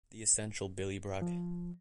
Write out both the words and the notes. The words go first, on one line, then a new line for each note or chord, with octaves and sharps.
The Essential Billy Bragg.
F3